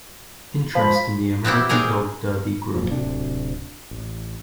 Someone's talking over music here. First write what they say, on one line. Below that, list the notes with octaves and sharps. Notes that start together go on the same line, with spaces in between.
Interest in the American Dog Derby grew.
F3 G#3 F4 B5
B3 C4 E4 G4
C4 D4 D#4 G#4 A#4
E1 F#2 A#2 F3
D1 D2 C3 D4
A1